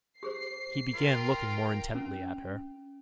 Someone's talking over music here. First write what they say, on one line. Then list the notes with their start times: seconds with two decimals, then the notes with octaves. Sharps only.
He began looking more intently at her.
0.23 G4 G#4 C5 C7
0.94 F4 A#4 G5
1.95 C#4